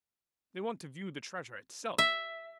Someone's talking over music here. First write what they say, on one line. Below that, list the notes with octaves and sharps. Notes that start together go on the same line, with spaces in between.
They want to view the treasure itself.
E5